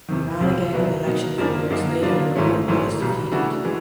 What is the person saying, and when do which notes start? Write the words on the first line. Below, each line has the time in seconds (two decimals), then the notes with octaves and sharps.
He ran again in the election four years later in Groulx but was defeated.
0.09 E2 C3 D#3
0.41 C#2 C3 F3
0.73 C2 B2 F#3 B3 E4
1.05 B2 F#3 A#3 D#4
1.38 F#2 C#3 F3 A#3 D4
1.70 F#2 D3 F#3 A#3 D#4
2.02 C#3 F#3 A#3 D4 F4
2.35 G#1 G#2 E3 A3 C#4
2.68 G#1 G#2 E3 A3
3.00 B1 B2 G3
3.32 C#3 E3 A3 D4 F#4
3.65 E3 G#3